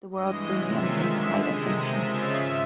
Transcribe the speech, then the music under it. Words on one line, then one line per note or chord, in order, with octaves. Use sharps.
The World Premium is the high definition.
G2 E3 G#3 D#5
C3 D#3 G#3 C#4 F4 E5
D3 F3 G#3 E5
C3 D#3 G#3 D#5
C#3 F3 G#3 C#4 F4 E5
G#2